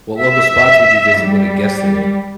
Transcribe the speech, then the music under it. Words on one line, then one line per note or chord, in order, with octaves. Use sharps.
What local spots would you visit with a guest today?
E5
G3